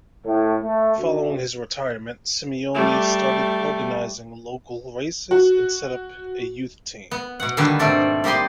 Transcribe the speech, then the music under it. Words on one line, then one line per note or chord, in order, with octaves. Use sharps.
Following his retirement, Simeoni started organising local races and set up a youth team.
A2
A3
D2
G3 A3
F#4
B3
B2 F#5
D3 D#3 G3 A#3 B4
G#2 B2 A3 C4 A4 D5
G3 A#3 G4 D#5 C6